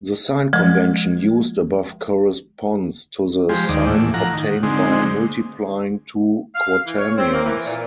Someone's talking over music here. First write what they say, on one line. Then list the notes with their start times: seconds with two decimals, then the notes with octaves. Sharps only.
The sign convention used above corresponds to the signs obtained by multiplying two quaternions.
0.53 F3 G#3
3.49 F3 G#3 G4 C5
3.69 D#2 D#3 D5
3.87 A2 E3
4.14 F3 F#5 A#5
4.33 D#3
4.63 D3 G#3 C4 D#4
6.55 F5
6.86 E3
6.98 C#5
7.18 C4
7.33 A#3
7.45 E3
7.65 A#2